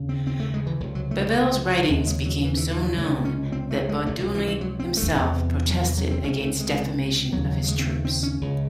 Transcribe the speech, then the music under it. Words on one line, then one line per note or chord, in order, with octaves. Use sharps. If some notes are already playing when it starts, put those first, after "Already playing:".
Babel's writings became so known that Budionny himself protested against "defamation" of his troops.
Already playing: D#2 C#3
C4
C4
A3
G#3
E3
C#2 C3 D#3
F#3
A3
G#3
A3
D#2 C#3
G#3
F#3
E3
E3
E3
F#3
C#2 C3 A3
C#4
C4
A3
G#3
C#2 C3 A3
F#3
E3
E3
F#3
C4
A3
E2 C3
F#3
E3
F#3
C4
C#2 C3 C#4
A3
G#3
D#2 C#3 F#3
F#3
G#3
C4
A3
C4
C#4
C#2 C#3